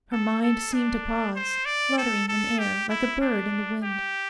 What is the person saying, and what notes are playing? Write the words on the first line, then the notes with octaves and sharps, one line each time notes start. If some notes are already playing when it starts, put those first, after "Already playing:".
Her mind seemed to pause, fluttering in air, like a bird in the wind.
A4
A4
D4
C5
D5
A4
A4
G4
E4
D4
G4